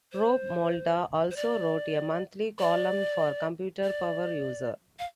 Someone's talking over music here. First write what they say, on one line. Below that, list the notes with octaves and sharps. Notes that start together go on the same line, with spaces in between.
Rob Malda also wrote a monthly column for "Computer Power User".
C5
C5
D5
D5
D5
F5